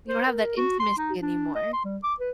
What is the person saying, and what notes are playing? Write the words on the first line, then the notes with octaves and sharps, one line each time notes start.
You don't have that intimacy anymore.
C5
A#4
F#4
C6
D#4
D4
D#5
C6
G3
D6
B4